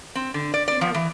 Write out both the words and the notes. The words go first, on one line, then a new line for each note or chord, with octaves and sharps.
you know,
C4
D3
D5
D5
F3
E3